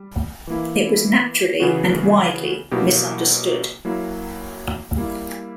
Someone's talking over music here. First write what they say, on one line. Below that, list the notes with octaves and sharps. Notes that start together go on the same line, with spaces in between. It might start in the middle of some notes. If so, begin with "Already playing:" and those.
It was naturally and widely misunderstood.
Already playing: G3
E3 A#3 E4
C#3 E3 B3 F#4
B2 F#3 A#3 E4 G4
F#3 A#3 E4
G3 A#3 E4